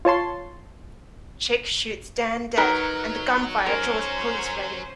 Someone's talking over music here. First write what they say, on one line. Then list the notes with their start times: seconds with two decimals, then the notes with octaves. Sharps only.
Chick shoots Dan dead and the gunfire draws a police raid.
0.05 F4 C#5 A5 C6
2.58 F#3 D#4 A#4 B4
3.66 C#4 A#4 C5